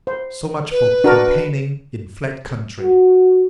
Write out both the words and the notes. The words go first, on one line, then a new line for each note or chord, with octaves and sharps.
So much for campaigning in flat country.
C5
B4
D4 F#4 A#4
F#4